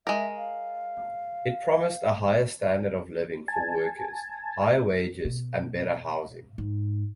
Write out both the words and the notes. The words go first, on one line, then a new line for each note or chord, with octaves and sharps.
It promised a higher standard of living for workers, higher wages, and better housing.
G#3 A#4 E5
F5
G#5 A5
B2
G#2